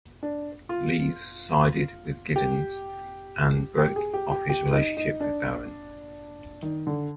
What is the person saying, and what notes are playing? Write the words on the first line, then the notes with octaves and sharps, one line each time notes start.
Leese sided with Gittens and broke off his relationship with Baron.
D4
F4
G4
G4
G#4
G4
G4
G4
D#4
D#4
D4
D#3
D3